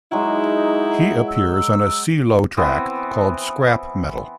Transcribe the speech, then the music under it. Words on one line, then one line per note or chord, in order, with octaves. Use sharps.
He appears on a Cee-Lo track called Scrap Metal.
F#3 G#3 D#4 E4
E6
E3 B3 C4